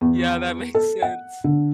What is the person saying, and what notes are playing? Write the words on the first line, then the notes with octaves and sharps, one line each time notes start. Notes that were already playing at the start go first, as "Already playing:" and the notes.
Yeah, that makes sense.
E2
A4
F#5
D3